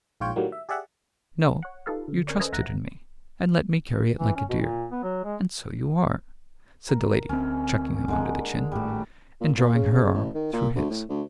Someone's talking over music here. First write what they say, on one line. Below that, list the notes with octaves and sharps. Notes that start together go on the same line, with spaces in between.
'No; you trusted in me, and let me carry it like a dear, and so you are,' said the lady, chucking him under the chin, and drawing her arm through his.
A#1 G#2 F4 C#5 G5
A2 D#3 F#3 G3 A#3
E5
G4 G#4 D5 E5 F#5
C#5 F#5
D#4 F4 G4 A4 B4 F5
D3
C#4 A#4 C#5 D5
A4 B4 C5 D#5 E5 G#5
D2 E5 F#5 A#5 F#6 A#6
E3
C#4
B2
A#2
B3
F#3
G#3
A#4
D2 C4 C#4
D3 G#3 A#3
G#1 A2 G3 F#4
A#2
A#2
C#3
C#3
A1
D#3
A#2
D2
A2
D2